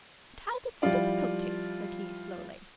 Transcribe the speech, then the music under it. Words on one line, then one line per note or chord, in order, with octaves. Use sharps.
"It has its difficulties," said he slowly.
F3 G3 E4 F4 D5